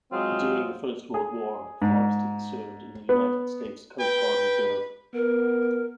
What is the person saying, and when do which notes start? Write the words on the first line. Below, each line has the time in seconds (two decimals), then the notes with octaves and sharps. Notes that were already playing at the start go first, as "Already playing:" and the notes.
During the First World War Farbstein served in the United States Coast Guard Reserve.
0.12 F#3 G#3 C4 F4
1.14 G#4
1.82 G#2
3.09 B3
4.00 B4 G5
5.14 B3 A#4